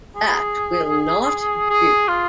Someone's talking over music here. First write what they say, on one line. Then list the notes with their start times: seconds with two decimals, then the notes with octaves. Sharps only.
That will not do.
0.16 G#4
1.70 G#4
2.08 F4